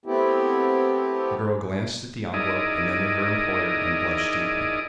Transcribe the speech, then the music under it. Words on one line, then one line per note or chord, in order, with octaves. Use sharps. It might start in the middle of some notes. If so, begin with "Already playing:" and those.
The girl glanced at the envelope and then at her employer and blushed deeply.
A3 B3 C4 E4 G4
D#4 E4 G#4 A#4 D5 D#5